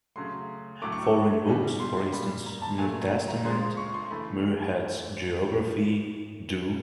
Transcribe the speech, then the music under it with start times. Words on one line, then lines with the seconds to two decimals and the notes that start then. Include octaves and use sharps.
Foreign books for instance New Testament, Muirhead's Geography, Do.
0.16 C#3 F#3 A3 C6
0.82 A2 F#3 A3 D6
0.92 C#6
1.04 C#6
1.47 B2 G3
1.80 C6
1.97 C6
2.13 A#2 G3 B5
2.46 A#5
2.62 A5
2.78 A#2 F#3 A3 G#5
3.28 A#5
3.44 C#3 F3 G#3 C6
3.77 C#6
3.94 C6
4.10 E3 A3 B5